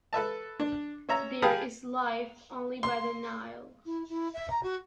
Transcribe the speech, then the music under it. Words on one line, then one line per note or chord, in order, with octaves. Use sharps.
There is life only by the Nile.
A4 B4 E5 A5
D4
C#4 E5 A#5
G4 G#4 F5 A5 B5 D#6
C6
E4
E4
E5
A#5
F#4